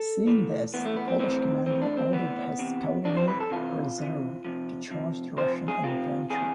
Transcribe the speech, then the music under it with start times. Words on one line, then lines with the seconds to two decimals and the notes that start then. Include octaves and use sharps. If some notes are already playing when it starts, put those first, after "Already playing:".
Seeing this, the Polish commander ordered his cavalry reserve to charge the Russian infantry.
Already playing: A4
0.27 A2 E3
0.74 A2 E3 B3
0.85 A3
0.96 B3
1.08 C4
1.19 A2 E3 C4
1.66 A2 E3 C4
1.82 D4
1.97 C4
2.12 A2 E3 B3
2.59 C3 E3
3.05 C3 E3 D4
3.17 C5
3.28 B4
3.40 A4
3.51 C3 E3 F4
3.98 C3 E3
4.45 C3 F3
4.91 C3 F3
5.37 C3 F3 C5
5.68 G#4
5.84 C3 F3 F4
6.30 C3 E3 G#4